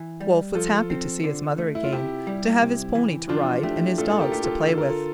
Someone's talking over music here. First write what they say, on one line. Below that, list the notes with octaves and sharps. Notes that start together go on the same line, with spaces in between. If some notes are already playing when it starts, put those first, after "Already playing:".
Wolfe was happy to see his mother again, to have his pony to ride and his dogs to play with.
Already playing: E3
G3
F3 F4 A4
C4
D3
A3
E4
F4
C3 E4 G4
G3
C3
E3
F3 D4 F4
A3 E4 G4
A#2 F4 A4
A4
G4 A#4
A3 G4
F4 A4
D3 F4 A4
A#4
F4 A4